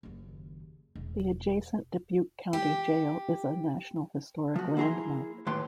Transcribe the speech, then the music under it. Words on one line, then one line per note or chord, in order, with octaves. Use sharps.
The adjacent Dubuque County Jail is a National Historic Landmark.
F#1 D#2
E1
G4
F3 F#4
A#3 E4 G#4 A#5 C6
D#2 A2 B4 G5 C6